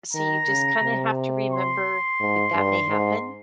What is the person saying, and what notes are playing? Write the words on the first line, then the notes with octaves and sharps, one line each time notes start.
so you just kinda have to remember that that may happen
D#3 A#5
C#3
C3
C6
G#2
G2
G#2